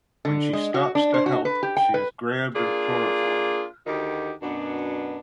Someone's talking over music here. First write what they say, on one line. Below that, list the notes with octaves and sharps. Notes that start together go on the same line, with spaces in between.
When she stops to help, she is grabbed and chloroformed.
D3
G#3
F#4
D4
C5
F#4
B4
G4
G5
B4
A#3 D4 F4 G#4
D2 D#3 D#4 F#4 G4
F#2 B2 B3 D4